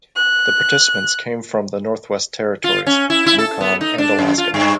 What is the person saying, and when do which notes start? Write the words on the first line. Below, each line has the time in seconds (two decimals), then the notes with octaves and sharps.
The participants came from the Northwest Territories, Yukon and Alaska.
0.16 F#6
2.64 F4
2.87 C#4
3.10 E4
3.26 E4
3.38 A4
3.61 B3
3.81 D#4
3.98 D4
4.19 F#2
4.38 F4
4.54 G2